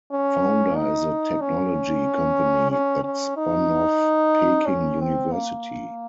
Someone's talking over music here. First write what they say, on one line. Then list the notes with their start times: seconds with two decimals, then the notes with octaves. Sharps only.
Founder is a technology company that spun off Peking University.
0.12 C#4
0.76 D#4
1.41 C#4
2.72 C#4
3.04 C#4
3.37 D#4
4.67 C#4
5.00 C4
5.32 A#3